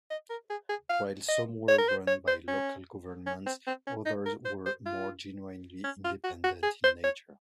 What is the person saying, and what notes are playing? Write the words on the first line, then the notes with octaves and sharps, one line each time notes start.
While some were run by local governments, others were more genuinely independent in nature.
D#5
A#4
G#4
G#4
F5
D#5
C#5
A#4
C5
C#5
C5
C#4
C#4
C4
C4
C#4
D#4
A#4
C5
C5
F4
C#4
F4
F#4
F#4
G#4
C5
C#5